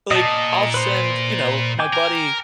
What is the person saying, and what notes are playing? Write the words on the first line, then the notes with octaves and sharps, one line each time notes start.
like, I'll send you know, my buddy,
A#2 D#5 A5
B4 C5
G5 G#5 D6
A#4